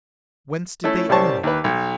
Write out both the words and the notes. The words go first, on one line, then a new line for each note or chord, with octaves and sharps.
Whence did they emanate?
A3 C#4 E4 A4
C2 G3 C#4 C5 A5 C#6
D#2 B4
B1